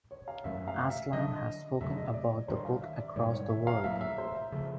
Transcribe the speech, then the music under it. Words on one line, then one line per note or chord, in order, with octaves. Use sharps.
Aslan has spoken about the book across the world.
C#5
F5
F#2 D#3 F#3 A3 E5
F5
E5
D3 F#3 A#3 D4 D#5
F2 C#3 F#3 A3 E5
D#5
D5
C#5
G2 D#3 G3 C5
F5
E5
D5
G#2 D#3 G3 C#5
C#5
E5
F5
A2 F#3 A#3 E5
E5
C5
E5
C#3 F3 A3